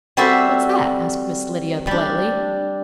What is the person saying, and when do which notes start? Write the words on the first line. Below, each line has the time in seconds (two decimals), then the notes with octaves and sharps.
"What's that?" asked Miss Lydia politely.
0.17 G3 C4 F#4 A4 C5 E5
1.87 G3 D4